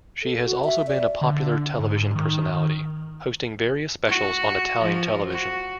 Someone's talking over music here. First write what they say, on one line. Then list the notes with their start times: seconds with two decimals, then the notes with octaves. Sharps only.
She has also been a popular television personality, hosting various specials on Italian television.
0.23 A4
0.45 F#4
0.64 E5
0.87 D5
1.21 D3
1.80 G#2
2.15 D#3
4.06 F#4
4.81 F3
5.29 F#4